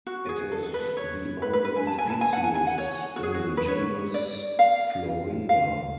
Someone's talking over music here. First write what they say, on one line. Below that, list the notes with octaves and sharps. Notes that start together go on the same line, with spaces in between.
It is the only species in the genus Florinda.
F#4
G#4
A4
B4
C#5
B4
B4
B4
G#5
A5
G#5
A5
G#5
F#5
G#5
G#5
F#5
C#5
F#4
G#4
F#4
B4
C#5
D5
F5
F5